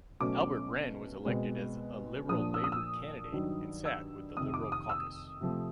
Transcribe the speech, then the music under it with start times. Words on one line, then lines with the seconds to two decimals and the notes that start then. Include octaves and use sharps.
Albert Wren was elected as a Liberal-Labour candidate and sat with the Liberal caucus.
0.20 B2 F#3 A3 C#4 D6
1.25 B2 G#3 C4
2.28 A#2 F3 A#3 D4 D#6
2.54 E6
2.64 D#6
2.72 E6
3.32 G2 D#3 F#3
3.85 E6
4.37 F2 C3 D#3 D#6
4.54 D6
4.72 D#6
4.89 E6
5.41 C3 F3 A3